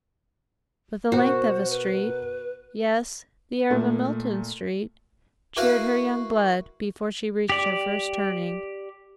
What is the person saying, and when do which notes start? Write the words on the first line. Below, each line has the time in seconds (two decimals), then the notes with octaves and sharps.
But the length of a street--yes, the air of a Milton Street--cheered her young blood before she reached her first turning.
1.12 B2 F#4 A#4 C5 F#5
1.71 B4
3.70 A#2 A3
5.57 E4 F#4 A#4 B4 F5
7.49 G4 D5